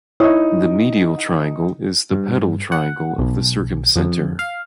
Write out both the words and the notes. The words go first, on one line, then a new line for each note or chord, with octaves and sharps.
The medial triangle is the pedal triangle of the circumcenter.
D#4 E4 C#5 D#6 E6
G2
F#5
B1
F2
F5